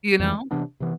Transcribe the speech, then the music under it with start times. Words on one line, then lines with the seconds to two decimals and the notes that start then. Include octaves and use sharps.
You know?
0.19 F2 E3 G#3
0.51 C3 E3 B3 D4
0.80 C3 E3 B3